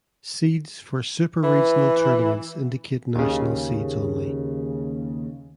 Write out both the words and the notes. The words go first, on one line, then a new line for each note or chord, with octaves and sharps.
Seeds for super regional tournaments indicate national seeds only.
E3
D#2 C#3